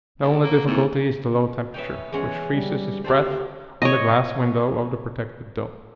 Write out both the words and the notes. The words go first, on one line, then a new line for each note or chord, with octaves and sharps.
The only difficulty is the low temperature, which freezes his breath on the glass window of the protecting dome.
D#2
A#3
G#2 A#3 C4 E4
B3 C#4 D#4 E5 G5
E2 G#3 C#4 F#5
G3
D2 C3 F3 G3 C4 F#4 A4 C5
C#5 D#5